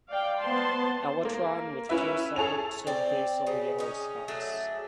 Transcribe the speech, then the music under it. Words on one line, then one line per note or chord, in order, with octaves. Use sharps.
Elytron with two separate subbasal yellow spots.
D5 F5 G5
B3 C5 A5 C6
A#3
C#4 E4 B4 E5
G#4 A4 C#5 G#5 F7
C4 D5
C#3
C#4 D#4
F#3 A3 D4 G#4